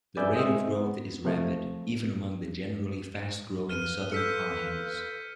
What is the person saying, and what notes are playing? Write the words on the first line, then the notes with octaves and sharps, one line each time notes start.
The rate of growth is rapid, even among the generally fast-growing southern pines.
B4 D5 E5 G#5 E6 G6
G#3 C4 D#5 E5
B3
C3 F3 A3
F4 B4 F6 D#7
A4 E6 G6 B6 C#7